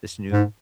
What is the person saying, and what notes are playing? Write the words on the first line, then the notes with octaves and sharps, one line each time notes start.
this new
G#2